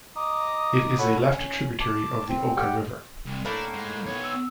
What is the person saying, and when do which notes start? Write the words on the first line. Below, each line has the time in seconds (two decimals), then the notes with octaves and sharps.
It is a left tributary of the Oka River.
0.16 D#5 A#5 D6 D#6
0.99 A4 C#5 F#5 B5
1.21 C#4
1.80 A5 D6
2.28 C4
2.57 G4 F#5 G5
3.26 C2
3.45 A2 A#3 D4
3.74 G#3 C5
4.06 B3 C#5
4.24 E6